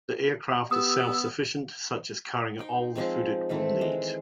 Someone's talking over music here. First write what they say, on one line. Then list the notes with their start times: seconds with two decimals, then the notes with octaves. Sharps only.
The aircraft is self-sufficient, such as carrying all the food it will need.
0.71 B3 G4 D#6 E6
2.59 D#4 G5 C6
2.95 F3 G#3 C4 D#4
3.49 D#3 E3 A3 C4
3.81 G#3